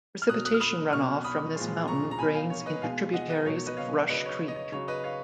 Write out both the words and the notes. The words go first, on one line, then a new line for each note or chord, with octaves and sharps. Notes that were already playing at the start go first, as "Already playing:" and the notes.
Precipitation runoff from this mountain drains into tributaries of Rush Creek.
F6
B2 F#3 D#6 F#6
D#6 F#6
F6
B5 D#6
B2 F#3 C#6 F6
B5 D#6
A#2 F3 G#3
A#5 C#6
A#5
B2 F#3 G#5 B5
F5 G#5
C#5
B4 D#5
B2 G#3 F5 G#5
D#5 F#5
B4 D#5
B2 F#3 C#5
C#5
B4 D#5
C#5 F5
C#3 F#3 B4 D#5
C#5
C#5
D#5
C#5
C#3 F#3 C#5
B4 D#5
C#5 F5